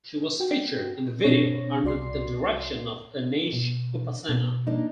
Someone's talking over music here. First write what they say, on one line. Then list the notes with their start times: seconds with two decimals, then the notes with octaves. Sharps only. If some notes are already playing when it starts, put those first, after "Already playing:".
She was featured in the video under the direction of Aneesh Upasana.
0.40 F#4 G5
1.24 B2 C4 D4 C#5 C#6 A#6
1.84 C2 F#4 D5 C6 C7
3.53 B2
4.29 B2
4.67 A#3 D4 D#4